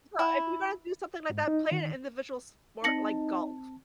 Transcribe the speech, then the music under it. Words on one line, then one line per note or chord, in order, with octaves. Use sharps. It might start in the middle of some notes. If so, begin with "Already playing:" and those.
So, if you're gonna do something like that, play an individual sport like golf.
E4
G#2
D#4
D#3
C4 D#4 A5 A#6 C#7 F#7